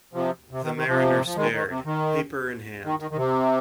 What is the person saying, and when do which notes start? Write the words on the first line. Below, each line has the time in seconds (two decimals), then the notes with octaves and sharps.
The mariner stared, paper in hand.
0.13 C3 F3
0.51 C3
0.63 D#3
0.75 D#3
0.87 C3 F3
1.25 F3
1.36 D#3 G#3
1.52 D#3
1.69 C3
1.85 D#3
2.84 D#3
3.00 D#3
3.11 D#3
3.16 C3